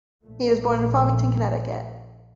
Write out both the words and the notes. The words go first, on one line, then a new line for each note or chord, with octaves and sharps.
He was born in Farmington, Connecticut.
A#1 A#2 A3